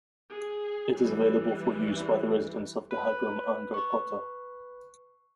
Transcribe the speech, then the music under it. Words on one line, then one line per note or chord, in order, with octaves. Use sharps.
It is available for use by the residents of Dahagram-Angarpota.
G#4
E3 G3
B4
C#6